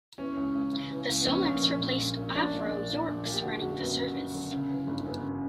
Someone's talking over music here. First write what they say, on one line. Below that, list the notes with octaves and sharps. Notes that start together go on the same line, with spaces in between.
The Solents replaced Avro Yorks running the service.
E3 C#4
C#2
C#2
C#3
E3
C#2
B3
A#1 C#4
A#2
A#1
A#2
A#1
A#2
C#4
A#1 D4
A#2
A#1
A#2
A#1
A#2
G4
D3 F#4
F#1 F#4
F#1 B3
F#2
D3
F#1
C#3
E3
G1
F#2 B3
C#3